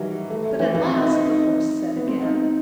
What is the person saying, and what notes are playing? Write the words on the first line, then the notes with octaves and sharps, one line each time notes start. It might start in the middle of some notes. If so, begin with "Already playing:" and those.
But at last, the Horse said again.
Already playing: D#3 E3 F#3 G3
A3
A3
E3
E3
C4
D#4
D#4
C4
D#4
B3
C4
D#4
D#4